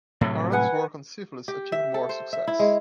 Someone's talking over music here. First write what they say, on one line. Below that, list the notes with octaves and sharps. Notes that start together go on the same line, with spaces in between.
Parran's work on syphilis achieved more success.
A2 C3 F#3
B4 F#5 G#5
G4
E5
A4
C5
E5
E4
G#3